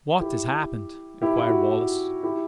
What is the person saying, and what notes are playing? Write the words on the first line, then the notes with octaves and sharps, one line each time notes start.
"What has happened?" inquired Wallace.
E4 G4
E4 G4
E4
F#4
E4 G4